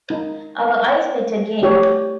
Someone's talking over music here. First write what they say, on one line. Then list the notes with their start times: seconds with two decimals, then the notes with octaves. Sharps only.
Our eyes met again.
0.10 D#4
1.62 A3 G4 C#5